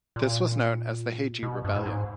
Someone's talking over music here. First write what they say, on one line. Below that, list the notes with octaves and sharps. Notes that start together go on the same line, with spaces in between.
This was known as the Heiji Rebellion.
A#2
B2
G2
A2
G#2